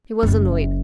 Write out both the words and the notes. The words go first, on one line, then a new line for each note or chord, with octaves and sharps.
He was annoyed.
F#1